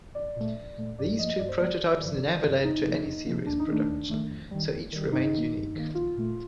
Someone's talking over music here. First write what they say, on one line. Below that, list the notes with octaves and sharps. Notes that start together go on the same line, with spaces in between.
These two prototypes never led to any series production, so each remained unique.
A#1 D5
A#2 A3
A#1
A#2 A3
G2 D5
F3 A#3 D#5
G2 D5
C5
F3 A#3 D5
G1
G2 D3 F3
G1
G2 D3 F3
F2 D#4
C3 F3 A#3
F2
C3 F3 A#3
D#2 D4
D#4
D#3 A3 D4
D#2
D#3 A3
F2
D#3 G3
F2
D#3 G3
G2 D#4
D#3 A#3
G2
D#3 A#3
A#1 F4
A#2 A3